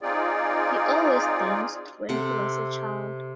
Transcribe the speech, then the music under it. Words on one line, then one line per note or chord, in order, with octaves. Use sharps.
He always danced when he was a child.
C4 D#4 F4 G#4 D5
C3 A4 F#5